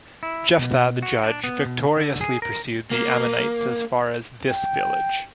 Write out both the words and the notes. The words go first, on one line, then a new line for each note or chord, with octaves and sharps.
Jephthah, the judge, victoriously pursued the Ammonites as far as this village.
E4
B2
F#4
D4
B3
B2
D3
G#4
A#4
A#3
G5